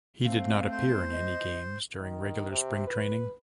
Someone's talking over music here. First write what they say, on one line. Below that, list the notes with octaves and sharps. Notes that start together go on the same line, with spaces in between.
He did not appear in any games during regular Spring training.
A3 C4 F5
C5
D#5
D#3
C3
B4